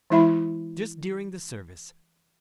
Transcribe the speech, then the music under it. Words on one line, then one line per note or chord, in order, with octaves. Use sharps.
Just during the service.
E3 G#3 E4 E5 B5